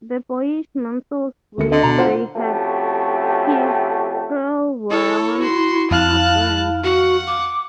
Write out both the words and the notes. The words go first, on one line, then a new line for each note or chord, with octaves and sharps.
The boyish mantles which they had hitherto worn are burned.
D2 A3 C#7
D3 D#5
B2 A#5
F4 C5 F#5
F2 A3 C#4 F#4 G4
E4 A4 C#5
F#4 C6
F2 F5 A5 F6 F#6
F#4 F#5
D6